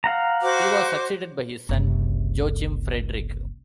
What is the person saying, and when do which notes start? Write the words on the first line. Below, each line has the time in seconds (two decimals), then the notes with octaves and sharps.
He was succeeded by his son Joachim Frederick.
0.04 F5 F#5 A#5
0.41 F#4 C5 D6
1.69 F#1 C2